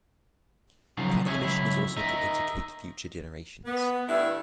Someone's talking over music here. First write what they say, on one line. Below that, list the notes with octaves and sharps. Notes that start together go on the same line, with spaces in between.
Part of the mission is also to educate future generations.
C#3 F3 F#3 D#4 F4 F#4
C#2 F3 C#5 D#5 E5 G#5
C#2 F#3 E4
D#4 A#4 D#5 E5
B3
G2 D3 A3 E4